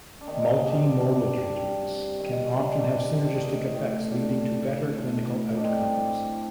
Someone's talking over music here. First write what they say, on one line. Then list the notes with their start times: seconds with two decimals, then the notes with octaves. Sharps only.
Multimodal treatments can often have synergistic effects leading to better clinical outcomes.
0.21 D4
0.27 C3 D#3 D#4
0.66 G3 D4
1.04 C3
1.42 G3
1.81 C3
2.19 D#3
2.57 D#3 D4
2.96 C3
3.35 A2 D#3 D#4
3.72 A2
4.11 A2 D4
4.50 A2
4.88 A3
5.25 A2
5.48 D#4
5.57 D4
5.64 A2 C4
6.03 A2